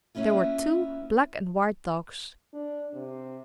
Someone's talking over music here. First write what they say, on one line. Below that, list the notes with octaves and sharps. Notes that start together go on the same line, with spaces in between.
There were two black and white dogs.
A#3 B3 C#4 E4 F4
D4
C3